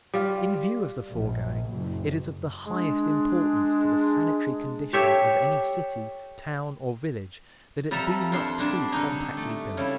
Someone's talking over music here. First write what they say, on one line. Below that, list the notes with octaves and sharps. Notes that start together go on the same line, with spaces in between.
In view of the foregoing, it is of the highest importance to the sanitary condition of any city, town, or village that it be not too compactly built.
G3 F4
A#1
F#1
G#3 D4
G4 A4 C#5 E5
F2 G3 A4 E5 A#5
F2 D4 C6
G3 G#3 D4
D3 D#4
A3
C#3 G3 E4